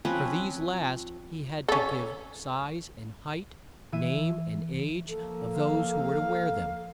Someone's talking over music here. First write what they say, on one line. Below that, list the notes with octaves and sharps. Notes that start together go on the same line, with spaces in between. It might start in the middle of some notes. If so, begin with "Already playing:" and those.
For these last he had to give size and height, name, and age, of those who were to wear them.
F3 C4 C#4 B4
C#4 A4
E3 E5 D#7
F3 A#3 A4
F5